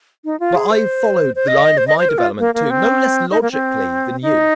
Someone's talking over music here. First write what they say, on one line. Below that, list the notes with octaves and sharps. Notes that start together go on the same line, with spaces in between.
But I've followed the line of my development too, no less logically than you.
D#4
F4
G#4
C5
C5
D#5
C5
D#5
C5
A#4
F4
A#3
A#3
C4
D#4
A#3
C4
D#4